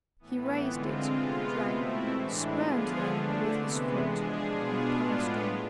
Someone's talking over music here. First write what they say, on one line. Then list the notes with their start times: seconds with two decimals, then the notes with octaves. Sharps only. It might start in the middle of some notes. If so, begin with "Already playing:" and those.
He raised it, drank, spurned the animal with his foot, and passed on.
0.19 A2 E3 B3
0.67 D3 G#3 C4 F4
1.14 C3 G#3 B3 F4
1.62 B2 A3 C4 E4
2.10 A2 E3 G#3 D4
2.57 D3 F3 B3 F4 G#4
3.06 D3 A3 D4
3.53 C3 E3 G#3 B3
4.01 F3 G#3 D4 G#4
4.48 B2 B3 D4 F4 G#4
4.96 A2 G#3 B3 D4 F4